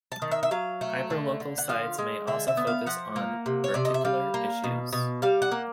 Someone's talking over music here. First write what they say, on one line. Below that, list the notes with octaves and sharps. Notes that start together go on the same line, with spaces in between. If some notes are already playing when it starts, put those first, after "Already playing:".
Hyperlocal sites may also focus on particular issues.
A5
D#3
E5
E5
F#3 F5
A3
D3
D3
F#5
F3 F5
G#3
D3 E5
E5
B3
F5
F3 F#5
A#3
C3
C#5
C3 D5
D#5
E5
G3 F5
A#3
B2
B2
G3 F5
F#5
A#3